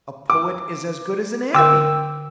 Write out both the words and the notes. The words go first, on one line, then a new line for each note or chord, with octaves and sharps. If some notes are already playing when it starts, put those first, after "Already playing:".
A poet is as good as an abbe.
D6
D3 A#4 G5 D6 E6